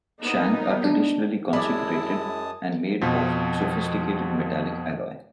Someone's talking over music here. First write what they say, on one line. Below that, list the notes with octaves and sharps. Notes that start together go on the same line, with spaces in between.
Shang are traditionally consecrated and made of sophisticated metallic alloy.
A#3 B3 D#4
D4
F#2 G#3 E4 D5 A5 B5 D#6
F2 B2 F3